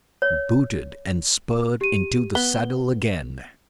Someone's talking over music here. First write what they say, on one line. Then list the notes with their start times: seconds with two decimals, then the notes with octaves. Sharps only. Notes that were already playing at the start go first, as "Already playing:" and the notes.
Booted and spurred, into the saddle again!
0.22 C#5
1.81 G4 D#7
2.35 B3 G7